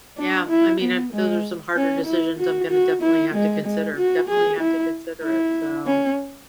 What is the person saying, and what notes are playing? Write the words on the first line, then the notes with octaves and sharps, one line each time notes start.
Yeah, I mean, I those are some harder decisions I'm gonna definitely have to consider, definitely have to consider it, so
D4
E4
B3
G#3
C#4
E4
F#4
F#4
E4
G#3
G#3
F#4
G#4
E4
E4
C#4